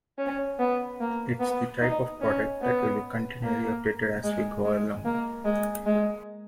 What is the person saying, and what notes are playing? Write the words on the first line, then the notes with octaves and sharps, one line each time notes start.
It's the type of product that will be continually updated as we go along.
C#4
B3
A#3
B3
D#4
C#4
B3
A#3
G#3
G#3
A#3
G#3
G#3